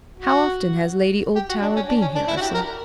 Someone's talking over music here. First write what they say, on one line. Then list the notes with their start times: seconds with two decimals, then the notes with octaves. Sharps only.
"How often has Lady Oldtower been here, Ursula?"
0.17 F#4
1.36 G4
1.49 F#4
1.62 D4
1.76 C#4
1.89 D4
2.02 C#4
2.15 D4
2.28 E4
2.37 F#4
2.41 G4
2.54 A#4